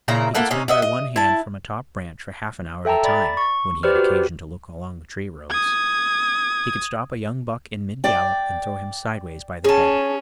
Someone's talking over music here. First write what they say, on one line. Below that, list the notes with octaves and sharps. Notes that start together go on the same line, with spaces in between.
He could swing by one hand from a top branch for half an hour at a time, when he had occasion to look along the tree-roads. He could stop a young buck in mid-gallop and throw him sideways by the head.
A#2 C#3 E4 A#5
A#3 E4 A4 F#5
C3 C#4 D#4
D#5 E5 F#5
D#5
E4 A5
A4 E5 G5 A5 A#5
D5 B5 A6
C#6
G4 B4 C5 D5 F6
F#4 G4
D#6 G#6
D5 G5
C#4 G#4 A5